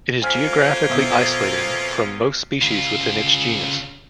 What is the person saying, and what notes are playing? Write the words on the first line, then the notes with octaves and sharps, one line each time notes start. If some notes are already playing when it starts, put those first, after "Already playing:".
It is geographically isolated from most species within its genus.
F2 A#3 C#4 F4 G#5 F6 B6
B2 E5 G6
C#3 F4